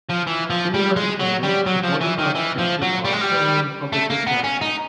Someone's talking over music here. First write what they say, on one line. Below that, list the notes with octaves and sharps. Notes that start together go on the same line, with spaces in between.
In the United Kingdom, the volumes are distributed by Turnaround Publisher Services.
F3
E3
F3
G3
G#3
F#3
G3
F#3
F3
E3
D#3
E3
F3
F#3
G3
G#3
G3
A3
A#3
B3
C#4
D#4